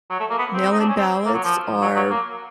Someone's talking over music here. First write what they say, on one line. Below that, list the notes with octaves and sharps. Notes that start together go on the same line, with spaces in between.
mail-in ballots are
F#3
A3
A#3
B3
C4
D#4
D4
C#4
C4
A#3
F#3
F3
F#3
F#3
A#3